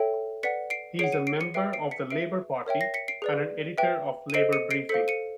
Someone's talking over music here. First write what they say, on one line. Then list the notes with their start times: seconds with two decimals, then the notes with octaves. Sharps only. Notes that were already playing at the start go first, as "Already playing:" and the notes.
He is a member of the Labour Party and an editor of Labour Briefing.
Already playing: A4 C#5 E5 G5
0.43 B4 D5 F#5 B6 C#7
0.70 C7 D7
0.99 G#4 C#5 F#5 C7 D7
1.12 C#7 D#7
1.27 C7 D7
1.40 C#7 D#7
1.54 B4 E5 G5 C7 D7
1.73 C7 D7
1.91 B6 C#7
2.11 G#4 B4 E5 C7 D7
2.66 A#4 C#5 E5 G5
2.81 A#6 C7
2.94 B6 C#7
3.08 C7 D7
3.22 G#4 B4 D5
3.78 B4 E5 G5
4.30 D#7
4.34 A4 C5 D#5 C7 D7
4.53 C#7 D#7
4.71 C7 D7
4.89 A4 C5 F5 B6 C#7
5.08 C#7 D#7